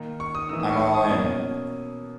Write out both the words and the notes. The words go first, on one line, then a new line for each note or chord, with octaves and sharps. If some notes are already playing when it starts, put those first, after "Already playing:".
I'm all in.
Already playing: D#3 A#3 D#4
C#6
D#6
E3 A#3 D#4 E6
E6
C#6
C#6
D#6
B2 A#3 C#4 D#6